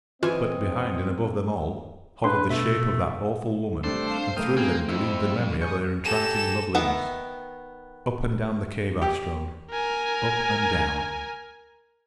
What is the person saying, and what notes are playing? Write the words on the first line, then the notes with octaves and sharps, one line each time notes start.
But, behind and above them all, hovered the shape of that awful woman, and through them gleamed the memory of her entrancing loveliness. Up and down the cave I strode--up and down.
E3 C4 F4 D#5 G#5
D4 B4 C6
B2 A3 E5
C3 G3 A3 D4 C5
F5 A5 C7
A2 E3 A3 A4 A#4 F5 G5 D#6
A2 A#3 C4 G#4 G5
F2 E4
G#5 C#6 D#6 G6
G4 A4 G#5 A#5 E7
D#3 B3 E5 F#5
G4
A#4 G#5